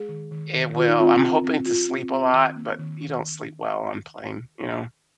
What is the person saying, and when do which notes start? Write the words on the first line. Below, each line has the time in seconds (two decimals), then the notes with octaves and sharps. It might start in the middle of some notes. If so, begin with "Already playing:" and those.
It will. I'm hoping to sleep a lot, but you don't sleep well on plane, you know?
Already playing: G#3 G#4
0.09 D#3
0.31 D#3
0.54 D#3
0.76 D#3 F4
0.88 D#4
0.99 C4 F4
1.21 C4
1.44 C4
1.66 C4 F4
1.89 C4
2.12 C4
2.33 D#3
2.56 A#3
2.79 D#3
3.01 D#3